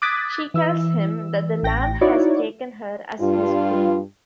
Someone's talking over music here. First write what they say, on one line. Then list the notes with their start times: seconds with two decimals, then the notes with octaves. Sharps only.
She tells him that the Lamb has taken her as His queen.
0.02 D6 D#6 F#6 G#6 A6 B6
0.54 E3 E6
1.63 A1 G5 A#6
2.01 D#4 E4 F#4 C#5 D5
3.21 G2 F4